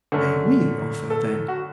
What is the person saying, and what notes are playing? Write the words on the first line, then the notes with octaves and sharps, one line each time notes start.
"May we offer, then?"
F#2 D3 A3
A4
F#4